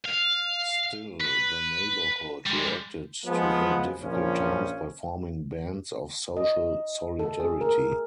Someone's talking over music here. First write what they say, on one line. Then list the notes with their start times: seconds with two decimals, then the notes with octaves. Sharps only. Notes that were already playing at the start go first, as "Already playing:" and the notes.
Still, the neighbourhood reacted to the difficult times by forming bands of social solidarity.
0.06 F5
1.21 B4
2.47 G3 G#3
3.26 F3 G#3 B3
4.01 A#1 F3 C#4
6.37 D#5
7.19 A4
7.40 G#4
7.61 A#4